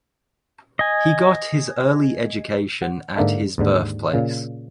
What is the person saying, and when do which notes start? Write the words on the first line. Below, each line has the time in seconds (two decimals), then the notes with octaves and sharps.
He got his early education at his birthplace.
0.79 D#5 G#5
2.82 F#5
3.16 G#2 D3 A#3 E5 A5
3.58 D#2 G#2 D3
4.13 A#2 C#3